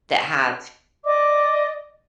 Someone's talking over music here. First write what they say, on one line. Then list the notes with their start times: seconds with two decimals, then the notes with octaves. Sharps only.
that have
1.05 D5 D#5 D6